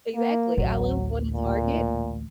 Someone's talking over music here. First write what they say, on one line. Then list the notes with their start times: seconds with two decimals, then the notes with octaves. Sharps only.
Exactly. I love going to Target.
0.15 A#3
0.57 A1 D2 F#3
1.34 A#2